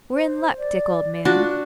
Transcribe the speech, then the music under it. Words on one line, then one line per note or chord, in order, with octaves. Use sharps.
We're in luck, Dick, old man.'
C5
D5
D4 F4 F#4